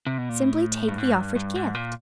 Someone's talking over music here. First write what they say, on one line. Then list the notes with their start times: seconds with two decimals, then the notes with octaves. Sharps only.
"Simply take the offered gift."
0.07 C3
0.18 B2
0.29 A#2
0.42 A2
0.88 G2
0.98 G#2
1.17 G2
1.36 G2
1.56 G#2
1.75 A#2